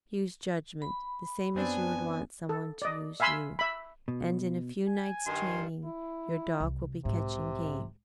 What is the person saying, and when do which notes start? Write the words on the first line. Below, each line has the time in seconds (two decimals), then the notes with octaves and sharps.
Use judgment, the same as you would want some one to use you, and in a few nights' training your dog will be catching game.
0.82 B5
1.55 F#2 B3 C4 D4 G#5
2.49 A4
2.82 D5 D#5
3.20 E5 F5 G#5 B5 C6 E6
3.59 E5 B5
4.08 B2
4.89 G#5
5.26 G2 D#3 C6
5.84 E4
6.60 C2
7.05 B1 G#2 C3